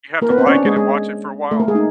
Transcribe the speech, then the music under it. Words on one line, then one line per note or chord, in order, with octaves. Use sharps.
You have to like it and watch it for a while?
A#3 A#4
B3 B4
C4 C5
C#4 C#5
D4 D5
G#3 G#4
G#3 G#4
A3 A4
A#3 A#4
G#3 G#4
D#4